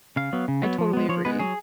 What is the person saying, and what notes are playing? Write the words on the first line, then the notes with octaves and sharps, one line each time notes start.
I totally agree.
C#3 F5
F#3 B3
C#3
F#3 B3
F3
G#3 B3
F3 C#5
G#3 B3 B4
F#3 G#4